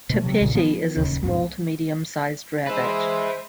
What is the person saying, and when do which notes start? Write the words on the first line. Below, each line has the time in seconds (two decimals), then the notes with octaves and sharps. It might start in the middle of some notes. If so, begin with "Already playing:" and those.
Tapeti is a small- to medium-sized rabbit.
0.10 B2 A3
0.23 C3 F#3
0.41 B1 A#2 C#3
0.55 F3 B3
0.97 D1 A1 D#2 C#3
1.24 C2 F2 G#2 B2
2.67 G#3 B4 C5 E5